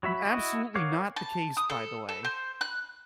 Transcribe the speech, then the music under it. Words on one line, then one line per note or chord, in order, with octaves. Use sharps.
absolutely not the case, by the way,
F#3 F#4 E5 B5
E4 F#4 D#5
A#4 C#5 F5 F#5 D6
A5
D#6
A4
A4
C5
F#6